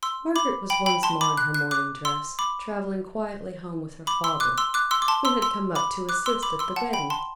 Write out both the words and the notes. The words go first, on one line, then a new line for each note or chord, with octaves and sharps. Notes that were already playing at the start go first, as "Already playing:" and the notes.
Margaret was once more in her morning dress, travelling quietly home with her father, who had come up to assist at the wedding.
C6 E6
B5 D6
G5 B5
G5 B5
A5 C6
B5 D6
F#6
F#6
D6 F#6
C6 E6
B5 D6
B5 D6
C6 E6
D6 F#6
C6 E6
D6 F#6
C6 E6
D6
A5 C6
C6 E6
C6 E6
B5 D6
D6 F#6
C6 E6
B5 D6
C6 E6
F#5 A5
G5 B5
A5 C6